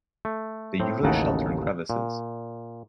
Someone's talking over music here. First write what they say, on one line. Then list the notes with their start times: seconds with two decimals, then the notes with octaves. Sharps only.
They usually shelter in crevices.
0.25 A3
0.80 A2 C4
1.03 A1 D#2 C#3 D#4 A4 F#5
1.90 A#2